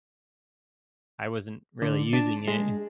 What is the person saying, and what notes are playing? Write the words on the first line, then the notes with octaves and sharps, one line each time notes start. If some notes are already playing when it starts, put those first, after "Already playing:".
I wasn't really using it.
D3
D4
G#3